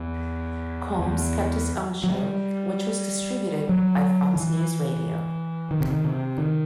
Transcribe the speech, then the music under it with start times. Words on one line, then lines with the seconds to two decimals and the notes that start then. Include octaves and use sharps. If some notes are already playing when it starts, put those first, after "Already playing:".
Colmes kept his own show, which was distributed by Fox News Radio.
Already playing: E2
0.99 E2
2.04 F#3
2.11 G3
3.69 F#3
4.36 E3
5.71 D#3
5.80 C3
5.90 D#3
6.04 C3
6.38 D#3